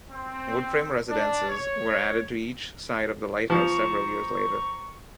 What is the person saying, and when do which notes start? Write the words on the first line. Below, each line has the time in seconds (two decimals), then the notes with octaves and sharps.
Wood-frame residences were added to each side of the lighthouse several years later.
0.11 C4
1.08 D4
1.47 C#5
3.50 F3 C5 A#5 C#6